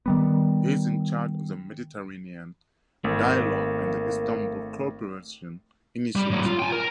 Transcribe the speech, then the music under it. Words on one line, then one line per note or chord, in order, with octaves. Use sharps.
He is in charge of the Mediterranean Dialogue and the Istanbul Cooperation Initiative.
D#3 G3 B3
G#1 A3 A#3
G3
A2 F#3
F4
G5 G#5
A#4